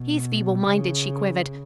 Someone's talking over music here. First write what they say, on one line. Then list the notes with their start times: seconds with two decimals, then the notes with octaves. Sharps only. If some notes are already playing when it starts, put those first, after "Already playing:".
"He's feeble-minded," she quivered.
Already playing: B2
0.67 C#3